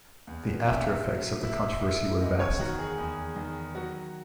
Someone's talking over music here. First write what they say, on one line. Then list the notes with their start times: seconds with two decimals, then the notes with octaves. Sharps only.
The after effects of the controversy were vast.
0.27 E2
0.66 C#4 E5
1.05 F#3
1.43 E4
1.82 E4
2.20 E2 D#5
2.40 C#5
2.59 D#3 F#4
2.79 G#4
2.98 E2
3.36 D#3
3.75 F#3 F#4